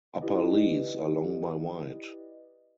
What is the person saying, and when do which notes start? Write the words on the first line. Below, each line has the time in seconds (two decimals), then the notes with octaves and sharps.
Upper leaves are long by wide.
0.21 E4 G4 B4 D5 D#5